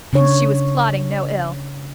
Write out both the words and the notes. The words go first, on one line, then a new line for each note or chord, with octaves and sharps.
And she was plotting no ill.
C#3 D4 C#5